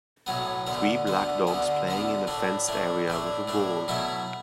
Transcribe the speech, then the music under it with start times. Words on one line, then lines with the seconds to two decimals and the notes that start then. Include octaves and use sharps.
Three black dogs playing in a fenced area with a ball.
0.26 B1 A2 F#3 B3
0.67 D2 D3 B3
1.07 D2 D3 B3
1.47 D2 D3 B3
1.87 D2 D3 B3
2.27 A2 A3 D4
2.68 A2 A3 D4
3.08 A2 A3 D4
3.48 A2 A3 D4
3.88 B2 F#3 A3 E4